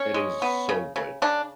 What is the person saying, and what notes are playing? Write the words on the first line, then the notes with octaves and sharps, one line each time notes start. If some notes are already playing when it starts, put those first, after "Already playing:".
and it was so good.
Already playing: C#4
G#3
B3
C#3
C#3
C#3 D4